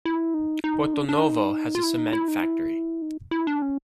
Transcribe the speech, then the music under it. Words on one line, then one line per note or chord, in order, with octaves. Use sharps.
Porto-Novo has a cement factory.
E4
D#4
D#4
D4
D4
D#4
F4
E4
D#4
E4
D#4
E4
D#4
E4
D4
C#4